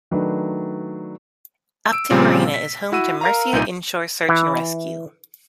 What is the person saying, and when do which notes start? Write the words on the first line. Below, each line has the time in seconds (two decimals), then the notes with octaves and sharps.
Upton Marina is home to Mercia Inshore Search and Rescue.
0.11 D#3 F#3 A3 D4 D#4 B4
1.92 E6 D7
2.11 A#2 C#3 F3 G3 A#3 C4
2.54 B6
2.92 E4 F#4 E6 D#7
3.21 A#4 F5 A#5
3.53 C2 A#2 D#4 G6 D#7
4.29 E3